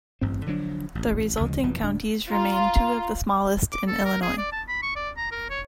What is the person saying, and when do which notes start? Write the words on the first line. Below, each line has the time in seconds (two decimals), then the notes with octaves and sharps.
The resulting counties remain two of the smallest in Illinois.
0.21 A1 G2 C4
0.46 D3 F3 F#3 D4
0.95 A1
1.40 D2 C#3 F3 G#3
1.63 F#1 F2 B2 E3
1.81 D1 D4
2.30 F4 A#5
3.72 D6
3.88 A4
4.05 A#4
4.22 G#4
4.38 D5
4.52 A5
4.68 B5
4.83 C#6
4.96 D5
5.17 A#5
5.32 A#4
5.50 C#5